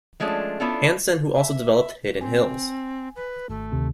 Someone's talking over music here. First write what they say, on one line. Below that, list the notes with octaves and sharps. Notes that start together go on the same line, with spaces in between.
Hanson, who also developed Hidden Hills.
F3 G#3 A3 C#4 D4 F4
B3 C#4 D4 E4 F4 A4
E5
C4 G#5
B4
G#1 A3
D2 C3 D#3